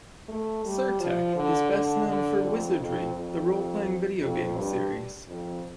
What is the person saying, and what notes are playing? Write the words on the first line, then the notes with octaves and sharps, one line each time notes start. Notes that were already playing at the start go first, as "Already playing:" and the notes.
Sir-Tech is best known for "Wizardry," the role-playing video game series.
A3
G3
F3
D3
D3
D3
F2
F2
F2
F2
G2
F2